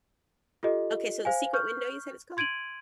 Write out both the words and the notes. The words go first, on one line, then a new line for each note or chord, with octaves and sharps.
Okay, so The Secret Window, you said it's called?
F4 G4 A4 D#5
C5 F5 G#5
C#6 F6 G6
C6 G#6 D7 D#7 F#7